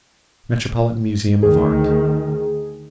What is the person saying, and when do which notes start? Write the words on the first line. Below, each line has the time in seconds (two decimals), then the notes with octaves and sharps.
Metropolitan Museum of Art.
1.43 D2 D#3 G#4